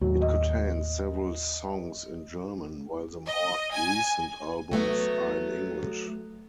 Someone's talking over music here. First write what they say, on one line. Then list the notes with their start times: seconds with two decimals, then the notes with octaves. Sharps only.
It contains several songs in German, while the more recent albums are in English.
0.01 D#2 A2 F#3
0.21 D#5
3.27 D#5
3.74 G#5
4.72 F#3 A3 B3